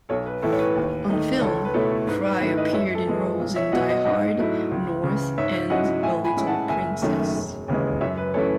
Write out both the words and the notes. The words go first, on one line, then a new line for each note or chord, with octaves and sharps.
On film, Fry appeared in roles in "Die Hard", "North", and "A Little Princess".
B1 A4 C#5
B4
A2 E3 A3 E4 A4
C#5
B4
D#2
D#3 A3 D#4
C#2 A4 C#5
B4
B2 A3 E4 A4 C#5
G#2 B4
B4
D#3 A3 E4 B4
B4 D#5
F#2 C#5 E5
A4
E3 G#3
B1
C#5 E5
B2 F#3 D#5 F#5
D#5 F#5
G#2 D#5 F#5
F#3 A3 E4
C#2
C#3 E3
G#2 C#5 E5
F#3 C#4 E4 D#5 F#5
A2 E5 G#5
G#5 B5
G#3 C#4 E4
F#5 A5
F#1 E5 G#5
F#2 D#3 A3 C#4
E1
D#2 C#3 E3 G#3
F#2 C#5 E5
B4
E3 A3 C#4 E4 A4 C#5